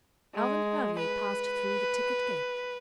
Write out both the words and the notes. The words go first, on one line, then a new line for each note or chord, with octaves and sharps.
Alvan Hervey passed through the ticket gate.
G#3
B4